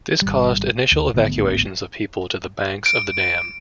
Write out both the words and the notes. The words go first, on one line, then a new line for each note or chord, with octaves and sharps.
This caused initial evacuations of people to the banks of the dam.
G#1 G3
D2
D1 G#1 D2 B3
D7